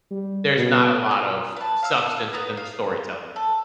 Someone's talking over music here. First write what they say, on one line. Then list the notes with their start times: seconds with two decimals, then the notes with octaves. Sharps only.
there's not a lot of substance within the storytelling of it.
0.11 G3
0.57 B2
1.11 A#3 C#4 D#4 F4
1.56 B4 A5
1.83 F5 E6
2.33 B3 D#4 B4 A#5
2.57 F5
3.36 A4